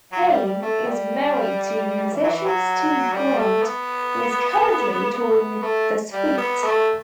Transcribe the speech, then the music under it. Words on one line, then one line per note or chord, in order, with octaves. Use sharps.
Payne is married to musician Steve Grant who is currently touring with The Sweet.
F#3
G3
G3
A3
G3
E3
F#3
E3
F#3
G3
A3
B3
B3
A3
G3
B3
A3